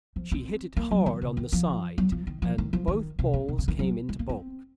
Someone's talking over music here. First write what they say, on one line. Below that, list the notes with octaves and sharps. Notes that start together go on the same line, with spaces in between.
She hit it hard on the side, and both balls came into baulk.
F3
C4
A#3
F#3
D#3
C#3
D#3
F3
F#3
F3
D#3
F3
D#3
F3
D#3
C3
C#3
C3
C#3
D#3
F#3
G#3
A#3
C4